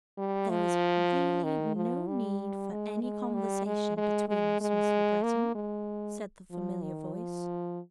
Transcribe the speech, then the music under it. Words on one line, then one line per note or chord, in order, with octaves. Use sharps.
"There is really no need for any conversation between us, Miss Le Breton," said the familiar voice.
G3
F3
D#3
F3
G3
G#3
G#3
G3
G#3
G#3
G#3
G#3
A#3
G#3
F3
D#3
F3